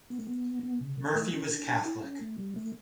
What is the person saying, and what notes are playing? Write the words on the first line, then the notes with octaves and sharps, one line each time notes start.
Murphy was Catholic.
B3
A3
B3
B3
C#3
D3
A3
C#4
D4
D4
E4
C#4
A3
G3
A3